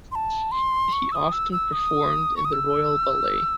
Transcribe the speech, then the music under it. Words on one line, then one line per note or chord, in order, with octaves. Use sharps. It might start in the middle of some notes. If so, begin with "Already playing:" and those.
He often performed in the royal ballet.
C6
A5
C6
C#6
E6
D#6
E6
E6
D#6
C#6
D#6
E6